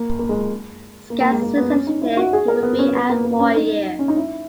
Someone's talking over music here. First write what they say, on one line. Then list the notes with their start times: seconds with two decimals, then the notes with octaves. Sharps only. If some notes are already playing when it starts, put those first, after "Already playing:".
Scans suggested he would be out for a year.
Already playing: A#3
0.19 A#3
0.29 G#3
1.10 A#3
1.21 A#3
1.31 G#3
1.42 A#3
1.57 B3
1.71 C#4
1.87 D#4
2.02 E4
2.17 F#4
2.33 G#4
2.48 A#4
2.63 B3
2.79 C#4
2.93 B3
3.10 A#3
3.25 A#3
3.39 C#4
3.55 D#4
3.99 C#4
4.08 D#4
4.16 E4